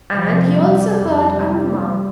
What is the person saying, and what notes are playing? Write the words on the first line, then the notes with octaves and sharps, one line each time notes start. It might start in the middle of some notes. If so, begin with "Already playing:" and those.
And he also heard a remark.
F2 C3 F3
G3
F2 C3
G3